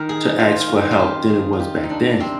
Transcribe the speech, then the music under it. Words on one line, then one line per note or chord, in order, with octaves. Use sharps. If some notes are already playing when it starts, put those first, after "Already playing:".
to ask for help than it was back then?
Already playing: D#3 A#4
G#4
D#3 F4
F4
D#3
F4
G4
D#3 G#4
F4
G4
C3
D#4
D4
C3 C4